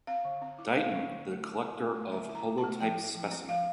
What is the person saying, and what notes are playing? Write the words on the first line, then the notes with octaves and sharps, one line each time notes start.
Dighton, the collector of the holotype specimen.
C4 F5
D3
C4
E4
A3 F5
D3
D3
A3
E4
E4
A3
A3
D3 E5
E4
A#5
E4
A5
A3
F3 G5
E4
F3
C4
F3 F5